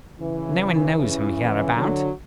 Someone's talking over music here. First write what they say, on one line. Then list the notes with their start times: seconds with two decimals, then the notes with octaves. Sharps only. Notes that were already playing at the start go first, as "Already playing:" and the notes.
No one knows him hereabout.
0.19 C#3 E3
0.96 C#3 E3
1.74 D3 F#3